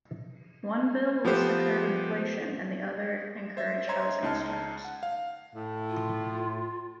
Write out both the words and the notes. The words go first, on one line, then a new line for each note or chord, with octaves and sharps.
One bill was to curb inflation and the other encourage housing starts.
F3 B3 G4 C5
C5 E5
C#5 D#5 E5 A#5 C6 G#6
C#2 D#4 A5 F6
F#5
F5
A2
F4